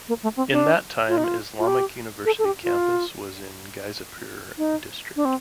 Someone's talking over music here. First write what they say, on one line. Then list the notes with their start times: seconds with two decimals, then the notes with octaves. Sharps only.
In that time Islamic University campus was in Gazipur district.
0.08 A#3
0.23 A3
0.37 C4
0.52 D4
1.09 F4
1.17 D#4
1.24 F4
1.59 F4
1.67 G4
2.25 A4
2.39 A4
2.45 G4
2.64 F4
4.58 D#4
5.16 D4
5.25 C4